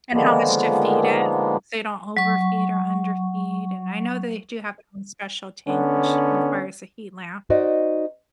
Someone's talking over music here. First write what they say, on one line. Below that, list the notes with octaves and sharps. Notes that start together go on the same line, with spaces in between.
And how much to feed it, so you don't overfeed or underfeed, and I know they do have their own special tank, which requires a heat lamp.
D3 D#3 F3 G#3 A#3 B3
F#3 C#6
D3 B3 C#4
D#4 F#4 C5 D5 D#5